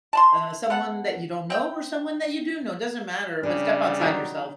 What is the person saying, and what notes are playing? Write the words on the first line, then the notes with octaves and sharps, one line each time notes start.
uh, someone that you don't know or someone that you do know. It doesn't matter, but step outside yourself.
A5 B5 C6
B3 A4 F#5
C4 G5
C#3 G3 D4
D#3 F#3